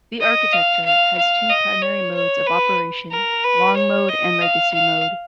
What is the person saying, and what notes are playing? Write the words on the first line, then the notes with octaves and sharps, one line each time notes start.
The architecture has two primary modes of operation, long mode and legacy mode.
D#5
F5
F5
F5
D#5
C#5
C#5
B4
A#4
B4
C#5
D#5
F5
F5